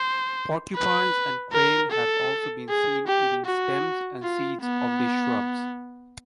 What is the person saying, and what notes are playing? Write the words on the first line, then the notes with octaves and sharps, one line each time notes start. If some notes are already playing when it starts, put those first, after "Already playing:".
Porcupines and quail have also been seen eating stems and seeds of these shrubs.
Already playing: C5
B4
A#4
A4
G#4
G4
F#4
F4
B3